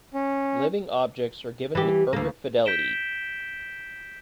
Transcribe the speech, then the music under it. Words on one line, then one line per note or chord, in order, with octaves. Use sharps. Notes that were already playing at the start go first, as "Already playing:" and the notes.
Living objects are given with perfect fidelity.
C#4
E3 G4
D2 A#3
G6 B6 D7 E7 G7